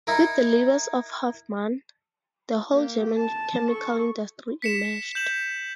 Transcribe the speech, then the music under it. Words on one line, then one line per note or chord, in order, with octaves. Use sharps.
With the labours of Hofmann, the whole German chemical industry emerged.
D#4 E4 A#4
A#3 G4
A5
A4 C#6
B6 C#7 E7
G6 E7 F#7